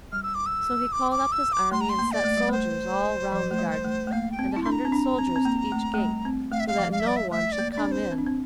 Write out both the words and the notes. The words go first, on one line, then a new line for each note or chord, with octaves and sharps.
So he called up his army, and set soldiers all round the garden, and a hundred soldiers to each gate, so that no one should come in.
G3 F6
E6
D6
E6
D6
D6
E6
D6
A3 C6
A#5
C6
A#3
D5
A3
G3
A3 C5
F3
A3
G3
A3
A3
A#3 F5
G5
C4
E4 A5
D4 C6
A#5
C4
D4
C4
C4
A#3
A3
A3
G3
C4
A3 F5
E5
F5
F3
F5
E5
G3 D5
E5
A3 E5
D5
A#3
D5
D4
C4
C5
C4
D4
C4